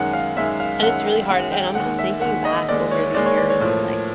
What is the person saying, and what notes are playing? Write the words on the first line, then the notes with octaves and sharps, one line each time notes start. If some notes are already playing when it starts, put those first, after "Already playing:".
And it's really hard, and I'm just thinking back over the years and like
Already playing: F#2 D#3 G#3 F#5
F5
F#2 D#3 G#3 E5
F5
F#2 D#3 G#3 F#5
G5
F#2 D#3 G#3 F#5
G5
D#2 D#3 G#3 F#5
E5
D#2 D#3 G#3 F#5
D#5
D#2 D#3 G#3 D5
C#5
D#2 D#3 G#3 D5
C#5
D5
C#5
A2 F3 A#3